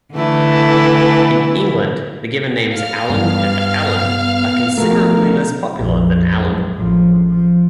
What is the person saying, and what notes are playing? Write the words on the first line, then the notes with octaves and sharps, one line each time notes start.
In England, the given names "Allan" and "Allen" are considerably less popular than "Alan".
D3 E3 A3 E4
F5 F6
G2 G3 B3
B2 F3 A3 A#4
A#1 F2
F#2 G#3
A1 F3
F3